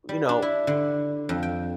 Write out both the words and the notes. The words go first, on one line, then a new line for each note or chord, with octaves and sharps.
You know,
G3
D4
E4
D3
F2
G5